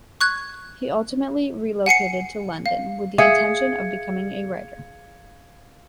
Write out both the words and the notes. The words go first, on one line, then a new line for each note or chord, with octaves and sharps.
He ultimately relocated to London with the intention of becoming a writer.
C#6 F#6 G#6
F#5 G#5 C7 C#7
F5
G#4 E5 F5 G#6 C#7